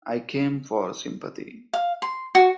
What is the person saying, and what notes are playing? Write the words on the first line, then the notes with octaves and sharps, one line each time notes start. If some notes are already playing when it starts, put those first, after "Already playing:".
I came for sympathy.
F5
C6
F#4